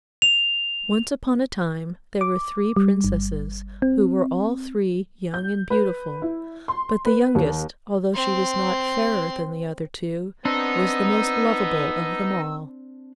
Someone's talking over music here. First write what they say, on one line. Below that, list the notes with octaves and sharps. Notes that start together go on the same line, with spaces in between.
Once upon a time there were three Princesses who were all three young and beautiful; but the youngest, although she was not fairer than the other two, was the most loveable of them all.
F7
D6
G3
G1
C4
G6
B4
E4
C6
B4
D#2
C4 C6
B3 C4 D4 D#4 E6